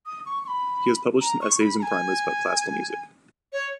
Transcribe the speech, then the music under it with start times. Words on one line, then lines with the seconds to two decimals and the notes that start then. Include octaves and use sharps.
He has published some essays and primers about classical music.
0.06 D#6
0.26 C#6
0.44 C#6
0.48 B5
1.21 A#5
1.41 C#6
1.60 B5
1.79 A#5
1.83 G#5
3.53 C#5